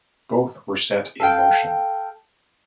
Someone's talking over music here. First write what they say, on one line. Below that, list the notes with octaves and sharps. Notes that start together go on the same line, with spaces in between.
Both were set in motion.
A4 F5 G5